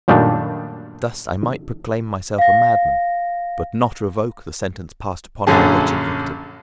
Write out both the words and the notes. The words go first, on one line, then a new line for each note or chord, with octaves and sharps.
Thus I might proclaim myself a madman, but not revoke the sentence passed upon my wretched victim.
F#2 A#2 D#3 G3 A3 D4
F5 A#6
A#1 F#2 D3 C#4 G#4 A5